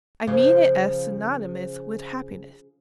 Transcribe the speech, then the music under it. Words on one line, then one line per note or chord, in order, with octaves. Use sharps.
I mean it as synonymous with happiness.
C#3 F3